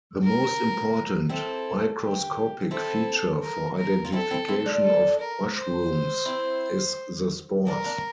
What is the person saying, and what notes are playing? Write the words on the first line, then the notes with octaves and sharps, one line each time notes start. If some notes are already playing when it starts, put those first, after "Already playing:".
The most important microscopic feature for identification of mushrooms is the spores.
A#4
C4 E4 A4
G4
C4 E4 A4
A#4
A#4
F4
C4 E4 A4
C4 E4
C4 E4
D4 F4
A4
A#4
C5
C4 E4
A#3 D4 A#4
A#3 D4